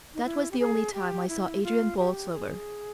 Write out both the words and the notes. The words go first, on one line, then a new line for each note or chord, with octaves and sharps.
That was the only time I saw Adrian Borlsover.
D#4
E4
G4
G#4
G4
E4
F4
G4
G#4